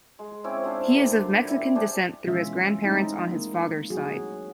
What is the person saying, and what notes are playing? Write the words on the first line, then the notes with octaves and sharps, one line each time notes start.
He is of Mexican descent through his grandparents on his father's side.
G#3
C4 C#4 E4 D6
D4 E4 F4 C5
A#2 D3
G3 E4
G3 D4 G#4 C5
B2 E3 G#3 C#4 F4 E5
G#3 A3 C4 D#4 E4
A#3
F#3 F#4 G#4